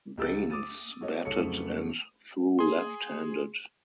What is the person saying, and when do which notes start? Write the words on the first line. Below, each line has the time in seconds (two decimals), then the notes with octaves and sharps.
Baines batted and threw left-handed.
0.17 C#2 G4 E6 A6
0.50 D6 D#6 A6 D#7
1.01 F#4 A4 C#5 D#5
1.25 C2 A4 C#5 C#7
1.37 F2 C#3 F#3 A3
2.59 G#4 C6